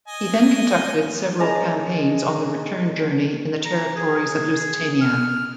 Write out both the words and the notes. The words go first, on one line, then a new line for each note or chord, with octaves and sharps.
He then conducted several campaigns on the return journey in the territories of Lusitania.
D#5 G#5
G#3 C#4 A5 A#5
A#5
G#4
F6